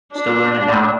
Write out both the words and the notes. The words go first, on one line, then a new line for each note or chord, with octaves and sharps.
Still learn it now.
D4